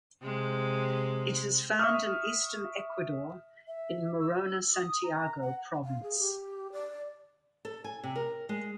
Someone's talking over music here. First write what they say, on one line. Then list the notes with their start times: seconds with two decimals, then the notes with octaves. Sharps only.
It is found in eastern Ecuador in Morona Santiago province.
0.22 C3 G#3
1.79 E5 C#6 D#6 F6
3.68 E5
4.20 E6
4.74 D#6
5.03 A#5
5.42 F#5
5.85 F5
6.03 G#4
6.19 G4
6.72 D5
7.65 A4
7.84 G#5
8.03 C3
8.15 A#4
8.49 G#3